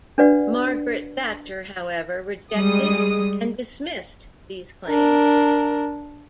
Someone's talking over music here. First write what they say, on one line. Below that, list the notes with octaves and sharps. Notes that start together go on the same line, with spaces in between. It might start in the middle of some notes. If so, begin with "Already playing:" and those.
Margaret Thatcher however, rejected and dismissed these claims.
D4 F#4 B4 D5 F#5
G3 G#3 D#6
D4 A#4